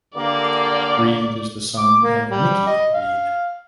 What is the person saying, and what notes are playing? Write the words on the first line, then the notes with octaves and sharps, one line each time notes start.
Reed is the son of Nikki Reed.
D3 A#3 G4 D5
D6
A#3
G3
D#5
F5